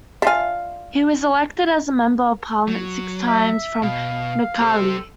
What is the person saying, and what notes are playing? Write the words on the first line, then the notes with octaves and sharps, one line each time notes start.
He was elected as a Member of Parliament six times from Noakhali.
D4 F4 E5 F5 G#5
F#3
E5
B2 F5
G4 A4 C5